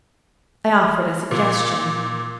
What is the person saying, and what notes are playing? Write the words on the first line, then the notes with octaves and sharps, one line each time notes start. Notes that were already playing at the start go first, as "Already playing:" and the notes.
I offered a suggestion.
A#2